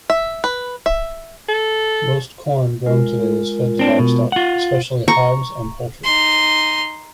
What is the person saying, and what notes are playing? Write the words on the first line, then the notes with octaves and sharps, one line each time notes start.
Most corn grown today is fed to livestock, especially hogs and poultry.
E5
B4
E5
A4
G#3 F4 A#4
C4 D4
B2
F4 F#5
A#5 C#6
D#4 C6